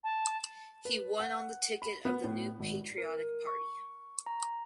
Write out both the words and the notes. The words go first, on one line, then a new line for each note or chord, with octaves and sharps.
He won on the ticket of the New Patriotic Party.
A5
B4
F#5
B5
B3
A2
G#1
A#4
C#6
A#5